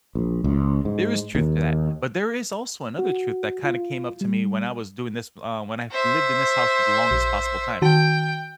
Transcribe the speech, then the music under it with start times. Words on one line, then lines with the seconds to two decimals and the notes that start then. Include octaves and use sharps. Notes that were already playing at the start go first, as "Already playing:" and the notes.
There is truth to that, but there is also another truth that kinda came up to me when I was doing this uh, when I lived in this house for the longest possible time.
0.15 A#1
0.44 C#2
0.85 G#2
1.35 D#2
2.99 F#4
3.64 F4
4.21 G3
5.91 C5 E5
7.11 A#1
7.82 D#3 F#4 G5 A5